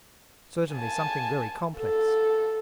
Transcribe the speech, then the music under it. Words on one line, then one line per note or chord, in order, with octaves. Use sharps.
Certainly something very complex.
G#5 A5
A4